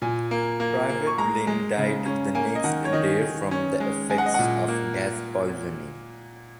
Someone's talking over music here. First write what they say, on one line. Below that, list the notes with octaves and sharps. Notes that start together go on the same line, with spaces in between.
Private Lynn died the next day from the effects of gas poisoning.
A#2 G#5
A#3
A#3
A#3
C#6
G#3 A#5
G#3
C#3
C#4
A#3 G#5
D#5
D#3 F#5
C#5
D#3 D#5
D#3
C#4
G#3
G#3 G#5
F#5
D#5
A#2 F#5
A#3